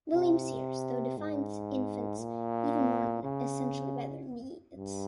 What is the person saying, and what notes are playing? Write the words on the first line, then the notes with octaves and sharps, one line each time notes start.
William Sears, though, defines infants even more essentially by their "needs".
C3
G#2
A#2
C#3
G2